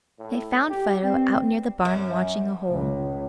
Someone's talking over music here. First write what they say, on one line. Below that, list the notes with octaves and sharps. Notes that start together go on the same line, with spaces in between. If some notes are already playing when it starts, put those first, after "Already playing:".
They found Fido out near the barn watching a hole.
A2
G4
G2 C4
F#2
C#2